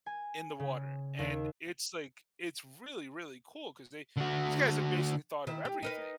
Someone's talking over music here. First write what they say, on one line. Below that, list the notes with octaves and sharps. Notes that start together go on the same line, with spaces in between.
in the water, and it's like it's really, really cool 'cause they These guys have basically thought of everything.
G#5
C#3
D#2
D3 F#4
D#3 E4
G4
D#4 A#4 B4